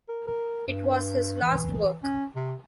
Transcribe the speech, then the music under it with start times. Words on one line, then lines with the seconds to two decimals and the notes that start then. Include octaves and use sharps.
It was his last work.
0.09 A#4
0.27 A#4
0.67 G2
1.42 E3
2.03 C#4
2.36 C3